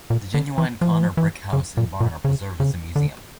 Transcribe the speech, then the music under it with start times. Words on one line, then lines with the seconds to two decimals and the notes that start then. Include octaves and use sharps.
The genuine Conner brick house and barn are preserved as a museum.
0.10 A#2
0.34 D3
0.58 E3
0.81 F3
0.91 E3
1.03 F3
1.17 E3
1.53 C#3
1.77 A#2
2.00 A#2
2.25 C#3
2.60 C#3
2.96 D3